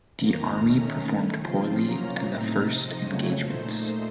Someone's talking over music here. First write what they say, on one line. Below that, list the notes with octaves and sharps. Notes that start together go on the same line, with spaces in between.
The army performed poorly in the first engagements.
F2 D#3 A#3 A#5
D#3 A3 C#4
D#3 A3 C#4
C#3 F3 C4 F4 C6
C3 F#3 A#3 C#4 F4 A#5
A2 A3 C4 D#4
C3 F3 C4 D#4 D#5
F2 C#3 F#3 A3 C#5
A#2 A3 D#4 C5